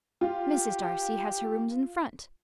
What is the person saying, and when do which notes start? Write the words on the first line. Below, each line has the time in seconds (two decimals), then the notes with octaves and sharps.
Mrs. Darcy has her rooms in front.
0.21 F4 G4